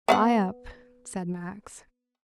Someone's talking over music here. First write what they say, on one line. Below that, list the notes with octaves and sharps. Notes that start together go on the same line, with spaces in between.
"Dry up," said Max.
B3 F5 F#5